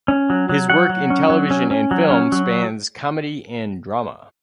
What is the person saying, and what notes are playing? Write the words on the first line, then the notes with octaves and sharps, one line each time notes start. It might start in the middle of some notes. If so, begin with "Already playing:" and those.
His work in television and film spans comedy and drama.
C#4
F#3
F#3
F#3 F#5
F#3
C#4
F#3
C#4
C#4
F#3
C#4
F#3